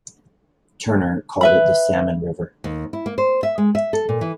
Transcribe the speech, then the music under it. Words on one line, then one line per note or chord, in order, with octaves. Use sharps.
Turner called it the Salmon River.
B4 E5 B5
D#2
E4
A#3
C5
E5
G#3
E5
A4
A#2
E3